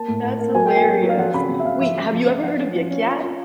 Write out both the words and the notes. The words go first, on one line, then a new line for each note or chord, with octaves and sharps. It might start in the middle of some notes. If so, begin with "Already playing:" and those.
That's hilarious. Wait, have you ever heard of Yik Yak?
Already playing: A#3 A5
A2
A2
A#3
F#3 G#5
G5
A#3
G#5
F#3
F#3
F5
F3 F#5
C#3 B5
C#3
E5
C#3 F5
F3 E5
F3
F3
F3
F3 F#5
C#4
F3
C#4
F4
F4